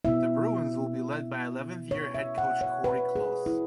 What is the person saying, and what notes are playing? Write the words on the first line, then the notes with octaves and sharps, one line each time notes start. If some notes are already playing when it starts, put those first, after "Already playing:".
The Bruins will be led by eleventh year head coach Cori Close.
B2 B3 E4 E5
C#5
E5
F#5
C#5
B4
G#4
E4